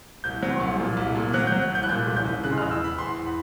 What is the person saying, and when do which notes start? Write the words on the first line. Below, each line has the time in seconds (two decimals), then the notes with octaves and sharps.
Jordan was the namesake of Jordan Road in Kowloon.
0.24 C2 G6
0.43 F#3
0.60 C2
0.80 A#2
0.97 C2
1.15 A#2
1.33 F#3 F#6
1.47 G6
1.52 F#3
1.61 F#6
1.70 C2
1.75 G6
1.83 F#6
1.89 A#2 G6
2.08 C2
2.17 G6
2.25 C2
2.44 C#3 F#6
2.58 E2 F6
2.71 E6
2.80 E2 B5
2.98 E2 C6
3.16 E2
3.26 B5